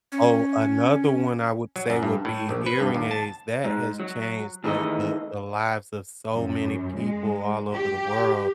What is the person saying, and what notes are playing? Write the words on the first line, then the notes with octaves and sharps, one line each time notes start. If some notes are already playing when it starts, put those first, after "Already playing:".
Oh, another one I would say would be hearing aids. That has changed the the the lives of so many people all over the world.
C#4
F#3
F#2
G2
A2
A#1
B4
G2
D#2
A5
G#2
F#3
D#3 E3 A3 G#4 D#5
F#2
G#3
G4